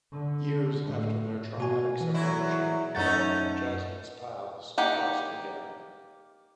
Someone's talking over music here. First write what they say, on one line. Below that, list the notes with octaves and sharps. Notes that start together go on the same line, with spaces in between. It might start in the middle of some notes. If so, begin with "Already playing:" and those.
Years after their traumatic separation, Nea and Jasmin's paths cross again.
D3
A2
B2 F#4 G#5
E3
E2 F#3 E4
F#2 A3 C#4 D#4 F#5 A6
A#3 D#4 G4 F#5